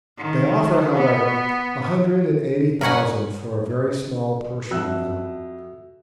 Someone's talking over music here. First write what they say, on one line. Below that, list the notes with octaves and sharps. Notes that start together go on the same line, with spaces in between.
They offer, however, a hundred and eighty thousand for a very small portion of them.
D#3
B3
A#4 B4 C#5 F#5 G#5
F2 F#4 E5 E6 F#6